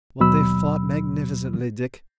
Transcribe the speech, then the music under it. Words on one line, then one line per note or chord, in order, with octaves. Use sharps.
But they fought magnificently, Dick!
D#2 B2 F#3 B5 E6